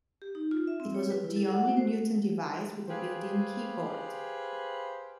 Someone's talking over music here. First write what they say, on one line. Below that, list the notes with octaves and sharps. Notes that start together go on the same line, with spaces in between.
It was the only Newton Device with a built-in keyboard.
G4
D#4
F4
E5
C4
C#5
B4
E4
A4
F#5
F#4
C5
G4 G#4 B4 C5 F5